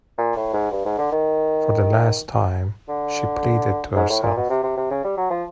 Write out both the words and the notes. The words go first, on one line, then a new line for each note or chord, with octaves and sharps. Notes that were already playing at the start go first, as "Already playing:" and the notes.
"For the last time," she pleaded to herself.
A#2
A2
G#2
G2
G#2
D3
D#3
D3
G#2
A2
A#2
B2
C3
C3
C3
C#3
G3
F#3
F3